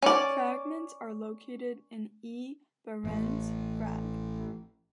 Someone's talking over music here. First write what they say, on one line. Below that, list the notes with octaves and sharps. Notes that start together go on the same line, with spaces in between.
Fragments are located in E. Bahrens, Frag.
C#4 D5
A1 A3